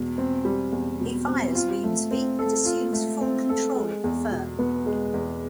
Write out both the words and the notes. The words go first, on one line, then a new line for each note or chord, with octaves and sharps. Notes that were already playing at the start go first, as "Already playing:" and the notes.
He fires Weemsby and assumes full control of the firm.
Already playing: E2 B2
C4
G3
E2
B2
C4
F4
A3
C4
A4
F4
A3
C4
A4
G#3
E2
B2
B3
G#3
E2